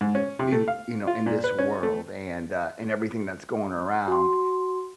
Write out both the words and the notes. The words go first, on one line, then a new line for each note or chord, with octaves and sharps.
in, you know, in this world and, uh, and everything that's going around.
G#2
C#4
C3
A3
F5
F4
A#2
B4
C#4
A3
F#4 C6